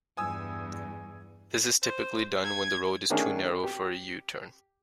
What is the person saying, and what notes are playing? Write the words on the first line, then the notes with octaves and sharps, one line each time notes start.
This is typically done when the road is too narrow for a U-turn.
E2 G2 G#5 D#6 E6
C5
G#6
D#3 A3 C#4 D4 G#4 A#4
G4